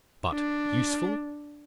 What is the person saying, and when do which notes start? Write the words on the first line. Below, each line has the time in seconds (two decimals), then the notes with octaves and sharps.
But, USEFUL?
0.33 D4